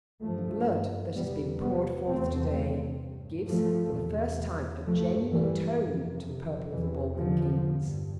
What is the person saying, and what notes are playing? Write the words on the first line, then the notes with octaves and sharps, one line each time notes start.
The blood that has been poured forth to-day gives for the first time a genuine tone to the purple of the Balkan Kings.
G2 F3 A3
E2 C3 G3 B3
G3 B3
E2 C3 A3 C4
G2
F3 A3
E2 C3
G2 F3 A3
E3 G3
F2 C3
E2 C3 E3
D3 F3
G2